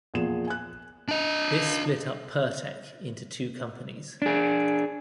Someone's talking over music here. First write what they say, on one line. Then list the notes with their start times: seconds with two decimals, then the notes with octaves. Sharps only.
This split up Pertec into two companies.
0.14 E2 A#2 F3 G#4 E7
0.47 G#5 F#6
1.08 D4 D#5
4.22 D4 G#4